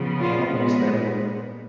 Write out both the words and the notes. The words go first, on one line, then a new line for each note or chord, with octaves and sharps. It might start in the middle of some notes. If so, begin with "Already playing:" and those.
animals that were
Already playing: C#3 F3 B3
F4
A#2 G#3 B3